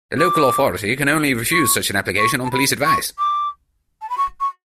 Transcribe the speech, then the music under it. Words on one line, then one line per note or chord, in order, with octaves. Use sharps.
The local authority can only refuse such an application on police advice.
D6
C#6
C#6
A5
B5
C#6
D6
A5
B5
C#6
C#6